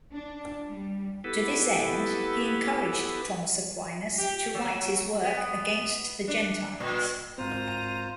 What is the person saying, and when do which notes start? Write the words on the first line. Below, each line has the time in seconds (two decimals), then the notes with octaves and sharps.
To this end he encouraged Thomas Aquinas to write his work "Against the Gentiles".
0.13 D4
0.67 G3
1.24 B3 E4 G4 A4 B4
4.18 G4
4.55 F#3
5.23 B3
6.28 D4
6.80 A#2
7.38 G#2 C4 F4 C5 A#5 D#7